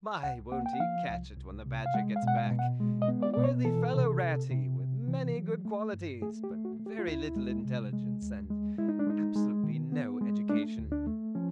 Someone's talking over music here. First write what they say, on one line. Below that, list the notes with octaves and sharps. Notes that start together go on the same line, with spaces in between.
My! won't he catch it when the Badger gets back! A worthy fellow, Ratty, with many good qualities, but very little intelligence and absolutely no education.
C2 F#5
A#3 F#5
G5
F#5
F3 F5
C2
C2
C3
F5
G#3 F#5
F5
B2 F#5
F5
B2
F#5
G#3
D#5
B3
D5
B2 D5
C#5
E3 A4
C3
C3
C3
C3
E3
F#3
A3
G2
A3 G#4
G4
A3
F#4
A3
G4
F4
D2 E4
G#3
C3
G#3
D2
G#3
G#3 E4
D#4
D4
G#3 D#4
G#3
D#3
B3
G#3
A3 D4
D2
D4
A3
F3 C#4